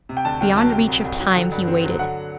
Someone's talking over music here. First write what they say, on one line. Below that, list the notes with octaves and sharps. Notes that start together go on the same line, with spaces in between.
Beyond reach of time he waited.
C3
G5
D2 A5
D2 G5
F#3 A5
C3 G5
C2
C2
F#3
D3
G2
C4
F#3
D3 F#5